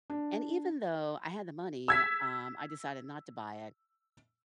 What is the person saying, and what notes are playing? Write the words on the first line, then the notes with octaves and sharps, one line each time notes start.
and even though I had the money, um, I decided not to buy it
D4
E6 G#6 B6